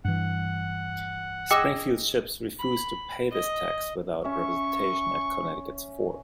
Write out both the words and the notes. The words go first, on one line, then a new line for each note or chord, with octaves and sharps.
Springfield's ships refused to pay this tax without representation at Connecticut's fort.
G2 E3 F#5
G#4 D#5 G5 D6 E6
B5
D#5
C#4 E5 C#6